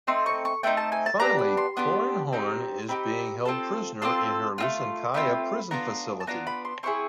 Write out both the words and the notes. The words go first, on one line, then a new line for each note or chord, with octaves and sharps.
Finally, Corran Horn is being held prisoner in her "Lusankya" prison facility.
A3 C4 D#4 C6
C#6
C#6
A3 C4 D#4 G5
A5
G#5
A5
B3 D4 G4 A#5
B5
C6
B3 D4 G4
C4 D#4 G4
C4 D#4 G4 B5
C4 F4 A4
C4 F4 A4 C6
A3 C4 F4
A3 C4 F4 B5
B3 D4 F4 A#5
A5
B3 D4 F4 A#5
B5
C6
C4 E4 G#4 C#6